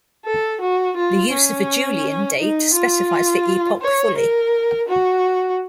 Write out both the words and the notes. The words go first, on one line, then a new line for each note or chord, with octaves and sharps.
The use of a Julian Date specifies the epoch fully.
A4
F#4
F4
C#4
D#4
F4
C#5
A#4
F#4